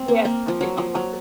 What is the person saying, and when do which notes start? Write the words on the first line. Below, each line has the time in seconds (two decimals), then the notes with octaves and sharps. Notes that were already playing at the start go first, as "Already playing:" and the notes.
Yes. They are.
Already playing: C4
0.08 A#3
0.25 A#3
0.48 F3
0.61 F#3
0.78 F3
0.95 F#3